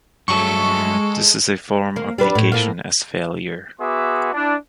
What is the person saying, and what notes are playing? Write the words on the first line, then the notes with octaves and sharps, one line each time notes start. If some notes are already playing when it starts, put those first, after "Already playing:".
This is a form of negation as failure.
G2 F#3 G#3 A3 A4 C#6
A#3
G3 D4 B4
A2
A2 A#3 F4
B3 F#4 G#4 E5 C6 D6
D4 E4